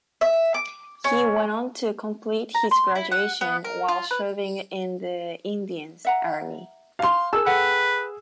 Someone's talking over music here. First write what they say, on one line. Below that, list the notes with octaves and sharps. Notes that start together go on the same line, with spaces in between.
He went on to complete his graduation while serving in the Indian Army.
E5
D6
C#4
A#5
C6
E4
F#5
B3
A#4
F4
B4
E5 F#5 A#5
F5 C6
G#4 A#4 A5 E6
A4 B4 F#5 G5